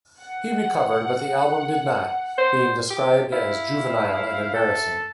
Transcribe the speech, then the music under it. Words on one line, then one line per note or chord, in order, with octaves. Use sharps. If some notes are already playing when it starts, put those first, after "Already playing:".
He recovered but the album did not; being described as 'juvenile and embarrassing'.
F#5
C5
G4
E4 F5
A4